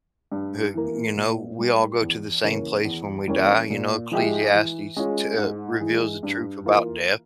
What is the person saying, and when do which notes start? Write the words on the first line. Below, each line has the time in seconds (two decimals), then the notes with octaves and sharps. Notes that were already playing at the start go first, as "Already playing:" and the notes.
uh, you know, we we all go to the same place when we die you know, Ecclesiastes, t uh, reveals the truth about death,
0.32 G2
0.74 E3 A#3
1.17 A#2
1.59 G3 A#3
2.01 E2
2.43 C#3 E3 A#3 C#4
2.85 E2
3.28 E3 G3 A#3 C#4
3.70 A#2
4.11 F3 G#3 E4 G4
4.53 E3
4.96 G#3 C#4 F4
5.38 G#2
5.80 E3 G#3
6.23 G2
6.65 E3 A#3 F4